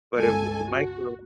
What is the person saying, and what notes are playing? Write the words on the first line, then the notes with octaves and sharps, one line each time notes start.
but it was a micro
G1 C#2 A4 G#5 A5
F#4